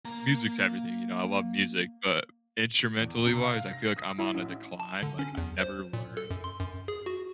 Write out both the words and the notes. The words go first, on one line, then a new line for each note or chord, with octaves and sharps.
Music's everything, you know? I love music, but instrumentally wise, I feel like I'm on a decline, like, I've never learned
A#3 A#5
E2
C3
F5
A#6
D#6
E4
A1
A5
D3
C#4
E2
C5
A#2
A4
F#2
C6
F#2
G#4
F#4